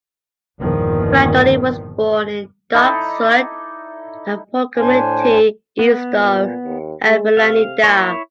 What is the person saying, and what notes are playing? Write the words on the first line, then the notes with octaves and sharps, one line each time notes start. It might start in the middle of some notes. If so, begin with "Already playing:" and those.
Brandoni was born in Dock Sud, a port community east of Avellaneda.
G1 E2 A#2 D#3 F3
D#4 E4 A4 D5
A2 D4 C5 G#5
B3
A#2
D#2
G#3
C3 F5
A#3 E4 C#5